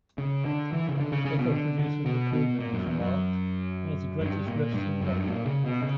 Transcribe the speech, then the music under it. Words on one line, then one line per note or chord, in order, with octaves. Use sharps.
Record producer Rick Rubin has remarked, One of the greatest riffs in rock.
C#3
D3
E3
C#3
D3
C#3
C#3
B2
D3
D3
B2
B2
A#2
F#2
E2
F#2
G2
A#2
G2
F#2
G2
A#2
C#3
B2
C#3